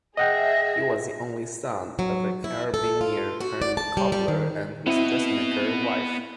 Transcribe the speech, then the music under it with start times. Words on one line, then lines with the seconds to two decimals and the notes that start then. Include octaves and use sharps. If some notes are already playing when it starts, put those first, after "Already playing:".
He was the only son of a carabiniere turned cobbler and his dressmaker wife.
0.17 G#4 D#5 E5 F#5 G5 A#6
1.99 F#3
2.44 E4
2.74 A4
3.01 F4
3.40 F#4
3.62 D5
3.77 A5
3.97 G3
4.12 G3
4.28 D#3
4.87 B3 C4 E4 D#5